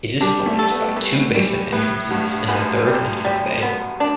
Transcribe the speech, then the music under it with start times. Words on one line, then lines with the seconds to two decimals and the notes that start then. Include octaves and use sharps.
It is flanked by two basement entrances in the third and fifth bay.
0.21 G3 D4
0.46 A3
0.59 A4
0.71 B3
0.96 E3
1.35 E3 G3
1.72 A2 B4
2.10 G2 F#4
2.48 F#2 B3
2.87 G3
3.25 G3
3.63 B3
4.00 D4